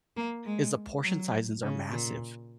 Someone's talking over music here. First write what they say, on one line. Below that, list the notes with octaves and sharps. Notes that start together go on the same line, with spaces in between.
is the portion sizes are massive,
A#3
G#3
F#3
C#3
A#2